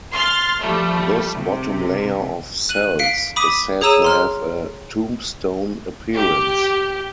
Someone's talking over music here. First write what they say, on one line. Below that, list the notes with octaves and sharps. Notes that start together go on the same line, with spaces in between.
This bottom layer of cells is said to have a "tombstone appearance".
C6 F6 A6
F3 G3 A3
C3
F#6 D#7 F#7
F5 B6 C#7 D7
B5 D6 D#6 B6 D#7
G#4 C#5 A#5 E6 D#7 E7
A#5 C6 F6
G4